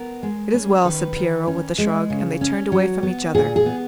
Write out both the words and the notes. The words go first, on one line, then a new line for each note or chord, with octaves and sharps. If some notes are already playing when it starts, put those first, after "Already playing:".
"It is well," said Piero, with a shrug, and they turned away from each other.
Already playing: B3 A#4
G#3
C#4
D#3 B4
D#3
C#4
G#3
C#3
C#4
F#3
B3
A#2 G#4
G#4
B3